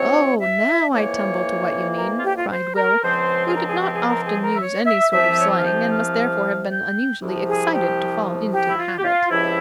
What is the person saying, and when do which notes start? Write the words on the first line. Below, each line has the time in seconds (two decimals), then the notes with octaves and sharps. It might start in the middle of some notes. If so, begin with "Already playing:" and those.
"Oh! now I tumble to what you mean," cried Will, who did not often use any sort of slang, and must therefore have been unusually excited to fall into the habit.
Already playing: G#2 F3 C4 C#5
0.39 E5
0.92 F2 E3 A#3 C#5
1.97 A#4
2.18 F4
2.23 G4
2.36 F4
2.50 C5
2.75 A#4
3.02 C#2 C#3 F3 C4 C5
3.46 G#4
3.53 A#4
3.67 G#4
3.80 G4
3.94 G#4
4.06 A#4
4.24 G#4
4.41 A#4
4.54 E5
4.59 C#5
4.85 E5
5.10 C2 C3 F3 E5
5.39 C#5
5.47 E5
5.55 F5
5.63 G5
5.89 F5
6.68 G5
7.20 C2 C3 F3
7.46 G#4
7.73 G4
8.51 G4
8.67 E4
8.77 F4
8.98 G4
9.04 F4
9.29 C#2 C3 F3 E4